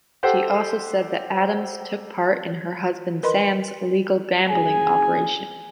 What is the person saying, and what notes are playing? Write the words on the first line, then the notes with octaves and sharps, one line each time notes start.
She also said that Adams took part in her husband Sam's illegal gambling operation.
G4 A4 C5 F#5
A#4 B4 D#5 B5 C6
F#1 G#4 G#5